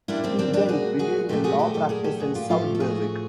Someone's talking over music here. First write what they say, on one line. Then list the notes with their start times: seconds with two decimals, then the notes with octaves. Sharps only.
He then began a law practice in South Berwick.
0.08 A#2 G3 A#3 D4 E4
0.24 C4 D4
0.39 C4 D4
0.53 C4 D4
0.69 F#4 G#4
0.99 F#4 G#4
1.29 A#2 F#3 A3 G4 A4
1.44 F#4 G#4
1.59 G4 A4
1.74 G4 A4
1.89 G#4 A#4
2.04 G4 A4
2.20 F#4 G#4
2.35 F4 G4
2.49 A2 F3 A3 F4 G4
2.75 A4
2.80 F#4 G#4